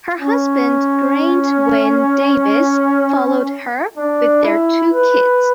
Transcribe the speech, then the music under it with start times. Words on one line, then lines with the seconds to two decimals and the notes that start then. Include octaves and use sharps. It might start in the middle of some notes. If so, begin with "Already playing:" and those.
Her husband Geraint Wyn Davies, followed her with their two kids.
0.20 C#4
3.97 D4
4.44 E4
4.92 B4